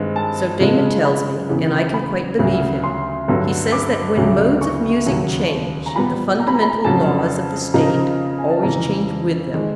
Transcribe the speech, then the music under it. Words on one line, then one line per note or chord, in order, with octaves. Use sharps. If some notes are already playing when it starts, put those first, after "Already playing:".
So Damon tells me, and I can quite believe him;--he says that when modes of music change, the fundamental laws of the State always change with them.
Already playing: G2 D#3 G#3 C4
A5
C#3 F3 G#3
B5
E2 C#3 E3
B5
D2 C#3 F#3
C6
G2 D3 F#3
D6
D2 C#3 F#3
C#6
D#2 C#3 F#3
A#5
A#2 G3 B3 B5
A#5
B5
A#5
B5
A#5
F2 C#3 F#3 A5
C#3 F3 A#3 D#4 A#5
G#5
A5
F2 C#3 E3 A#5
D#3 G#3